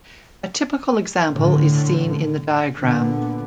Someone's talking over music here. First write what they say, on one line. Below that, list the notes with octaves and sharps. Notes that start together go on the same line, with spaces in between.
A typical example is seen in the diagram.
A2 D3
A#2 D3 B3